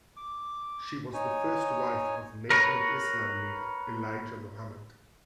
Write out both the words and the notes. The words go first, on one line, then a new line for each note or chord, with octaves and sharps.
She was the first wife of Nation of Islam leader Elijah Muhammad.
D6
D#4 C#5 G#5
A#4 B4 C#5